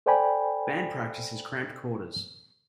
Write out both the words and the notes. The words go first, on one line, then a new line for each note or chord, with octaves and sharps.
Band practice is cramped quarters.
A4 C5 D5 G5 G#5 B5